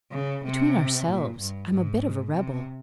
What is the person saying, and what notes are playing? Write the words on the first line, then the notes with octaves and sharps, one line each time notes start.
Between ourselves, I am a bit of a rebel.'
C#3
C3
A#2
G2
G#2
C3